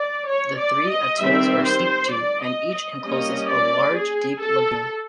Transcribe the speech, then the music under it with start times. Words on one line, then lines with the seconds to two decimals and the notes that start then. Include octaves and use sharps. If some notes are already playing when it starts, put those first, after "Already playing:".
The three atolls are steep-to and each encloses a large deep lagoon.
Already playing: D5
0.28 C#5
0.59 D5
0.89 D#5
1.20 D#3 G3 C4 E5
1.66 C5
2.12 D5
2.42 D#5
2.72 D#5
3.03 G3 A#3 C#4 D#5
3.49 D5
3.94 G#4
4.41 A4